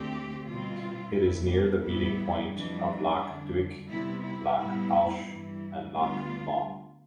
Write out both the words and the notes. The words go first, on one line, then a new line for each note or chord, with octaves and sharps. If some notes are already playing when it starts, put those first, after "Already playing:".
It is near the meeting point of Loch Duich, Loch Alsh and Loch Long.
Already playing: D2 D3 A3 C4 G4
B2 G3 C4 F4
E2 B2 B3 E4
D4
A2 G3 B3 E4
F2 E3 G3 D4
F2 D3 G3
C3 G3 B3 E4
E4
A2 G3 B3 E4
G2 E3 G3 E4
D2 D3 G3 B3 F4